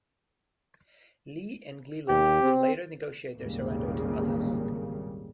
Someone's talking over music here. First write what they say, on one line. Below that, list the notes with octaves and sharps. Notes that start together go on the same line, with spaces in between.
Lee and Gililland would later negotiate their surrender to others.
D#2 G4
C4
G#1 D#2 A#2 C#3 G3 A#3